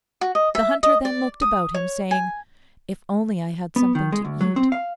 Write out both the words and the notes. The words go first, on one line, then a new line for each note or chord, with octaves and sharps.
The Hunter then looked about him, saying, 'If only I had something to eat!
F#4
D#5
E5
D#5
D5
D#6
C#5
G#5
B3
D#3
G#3
D2
F#3
C4
F5